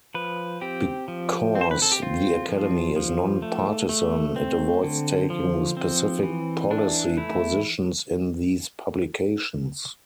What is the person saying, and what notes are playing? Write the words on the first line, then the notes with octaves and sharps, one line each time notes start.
Because the Academy is non-partisan, it avoids taking specific policy positions in these publications.
F3 B4
C4 G4
F3
C4
C5
B4
A4
G4
C4 F4
F3
F3
A3
A3
C4
D3
F3
C4
E3
E3 D4
A3 E4